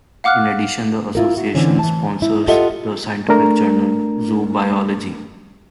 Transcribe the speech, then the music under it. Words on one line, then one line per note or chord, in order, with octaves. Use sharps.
In addition, the association sponsors the scientific journal "Zoo Biology".
F5 F#5 D6 F6 F#6
E4 F4 A#4
F#4
D3 E3 C4 C#4
E3 A5
E4
F4 G4 A4 D#5 E5 F#5
A3 D4 A#4 A#5